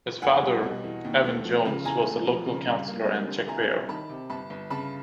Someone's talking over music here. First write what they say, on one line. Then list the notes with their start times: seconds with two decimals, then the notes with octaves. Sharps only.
His father, Evan Jones, was a local councillor and checkweigher.
0.22 F1 F#5 G#5
0.43 G3
0.63 B2
0.84 E2
1.05 D#2
1.24 A3
1.45 F3
1.65 C#3
1.85 E2 G#5 A#5
2.06 A3
2.26 F3
2.46 C#3
2.67 G2
2.87 A#3
3.08 G3
3.28 D3
3.48 C2 G#5 A#5
3.68 C2
3.89 D#3 A5 B5
4.09 C3
4.30 G1 A5 B5
4.50 G1
4.70 C#3 A5 B5